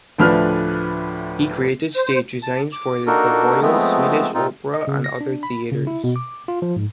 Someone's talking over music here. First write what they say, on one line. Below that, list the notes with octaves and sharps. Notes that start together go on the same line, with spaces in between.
He created stage designs for the Royal Swedish Opera and other theaters.
D2 A2 F3 D4 B4 F6
C5
A5
D6
A#3 D4 D#4 F#4 A4 A#4
F3 G#3 A3 B3 C4
A#2 C4 D#4 F4
D#5
C#3
A#6
D4
B5
C#3
E4
B2
D6
F4
F3
G#2